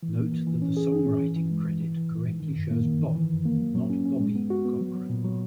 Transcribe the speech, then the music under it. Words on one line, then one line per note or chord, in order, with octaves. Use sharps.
Note that the songwriting credit correctly shows Bob, not Bobby, Cochran.
E3
A#3
E3
E3
C#4
G#4
G#4
C#4
E3
E3
G#3
E3
E3
E3
G#2
G#2
D#3
F#2
A#3
D#3
E3
E3
F#2
A#3
F#3
F#3
C#4
C#4
G#3
B3
F#4
B3
F#3
F#3
A#2
F#3